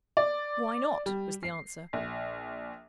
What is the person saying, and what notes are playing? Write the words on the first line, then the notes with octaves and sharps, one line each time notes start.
"Why not?" was the answer.
D5
G3
C7
A#1